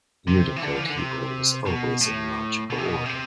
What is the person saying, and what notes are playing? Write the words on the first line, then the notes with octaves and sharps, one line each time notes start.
Unicode Hebrew is always in logical order.
C3
E3
D3
F3
E3
D3
C3
B2
A2
B2
C3
B2
C3